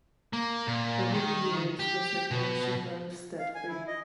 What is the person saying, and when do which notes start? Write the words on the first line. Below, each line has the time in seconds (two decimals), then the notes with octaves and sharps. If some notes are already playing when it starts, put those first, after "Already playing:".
Over the years the circulation rose steadily.
0.33 A#3
0.67 A#2
1.13 D#3
1.79 G4
2.31 B2
3.39 F5
3.55 G#5
3.68 E4
3.88 D#5